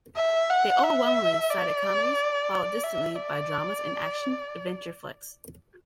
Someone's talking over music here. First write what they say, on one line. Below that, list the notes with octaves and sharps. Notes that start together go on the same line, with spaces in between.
They overwhelmingly cited comedies, followed distantly by dramas and action adventure flicks.
E5
F#5
E5
D5
E5
D5